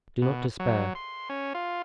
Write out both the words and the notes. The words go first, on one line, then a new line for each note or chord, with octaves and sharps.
Do not despair!
B2
F#3
C6
C#4
F4